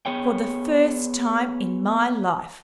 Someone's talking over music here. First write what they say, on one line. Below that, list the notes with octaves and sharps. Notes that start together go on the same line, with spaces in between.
"For the first time in my life!"
B3 G#4 C#5 G5